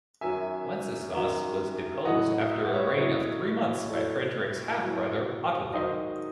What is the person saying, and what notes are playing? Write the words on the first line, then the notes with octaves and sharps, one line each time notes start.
Wenceslaus was deposed after a reign of three months by Frederick's half-brother Ottokar.
F#2 D#3 F#3 E5 G#5
F#2 D#3 F#3
A2 F#3 D#5 F#5
E5
F#5
C#5 E5
A2 F#3
A2 F#3 A4 C#5
A2 F#3
G#2 D#3 F#3 C5 D#5